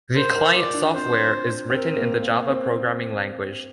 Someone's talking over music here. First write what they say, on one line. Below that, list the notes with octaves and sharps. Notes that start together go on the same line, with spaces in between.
The client-software is written in the Java programming language.
A#4 C5
A#4
F4 D5
D4
C4 C5
C4 A#4
A#3
A#3
C4